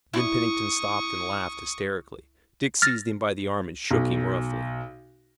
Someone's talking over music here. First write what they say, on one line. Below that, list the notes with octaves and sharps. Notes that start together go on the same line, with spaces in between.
Then Pennington stopped and laughed hysterically, Dick seized him by the arm and shook him roughly.
E4 C#6 D#6
F6 A6 A#6
B1